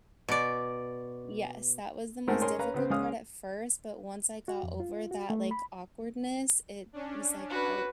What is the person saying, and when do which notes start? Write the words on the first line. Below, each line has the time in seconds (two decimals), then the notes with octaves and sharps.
Yes, that was the most difficult part at first, but once I got over that, like, awkwardness, it was, like, "Oh,"
0.29 B2 D5
2.28 G#3 A3 C4 D#4 A#4 F#5
2.42 C#4 G#4 A#4 C#5 G#5 C6
2.59 C#4 B4 F5 A#5
2.74 C#3 B3 C4
2.90 C#2 G#3 C#4 F5 D#6 F6
4.48 F#4
4.63 F2
4.80 F4
5.11 F#4
5.30 A3
5.51 B5
6.93 C#4 D4
7.50 F#4 B4